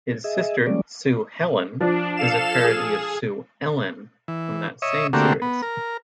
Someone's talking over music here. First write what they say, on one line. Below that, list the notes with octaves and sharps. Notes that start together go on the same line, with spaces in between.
His sister, Sue Helen, is a parody of Sue Ellen, from that same series.
G#4 D#5 E5
F3 G3 G#3 A#3 C#4 D5
F3 D4
A4 F5 E7
G#4
E3
C#5 D#5 E5
D3 A3 A#3 C4 F#4 G4
B3
A#4